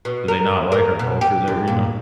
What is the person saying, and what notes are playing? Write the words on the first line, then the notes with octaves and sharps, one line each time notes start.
do they not like our culture there, you know?
B2
A#4
A#4
B2
G4
F#2
A#2